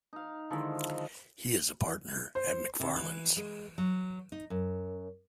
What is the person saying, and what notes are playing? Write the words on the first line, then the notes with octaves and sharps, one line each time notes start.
He is a partner at Macfarlanes.
D#4 F5
D3 D#3 F3 G#3 E4 A4
C5
C3
E3
G#3
F#3
D#4
F#2